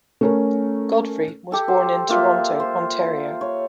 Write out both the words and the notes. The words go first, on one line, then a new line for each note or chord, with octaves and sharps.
Godfrey was born in Toronto, Ontario.
A3 C#4 A#4
G4 A4
C5
A#3 F4 E5
C5
C#5